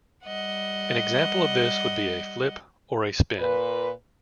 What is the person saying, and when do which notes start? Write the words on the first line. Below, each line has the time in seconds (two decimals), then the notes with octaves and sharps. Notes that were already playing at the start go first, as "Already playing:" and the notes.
An example of this would be a flip, or a spin.
0.25 G3 D#5 F#5
3.39 A#2 B4